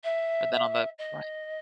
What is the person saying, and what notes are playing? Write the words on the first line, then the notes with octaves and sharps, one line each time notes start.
or than on the right.
E5
D#5